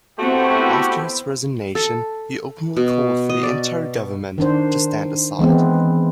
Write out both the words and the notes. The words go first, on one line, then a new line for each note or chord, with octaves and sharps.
After his resignation, he openly called for the entire government to stand aside.
A3 B3 C4 E4 F#4 G4
A4
B2
D#5
D5
D#3 D4 C5
E3 G#3 B3 C4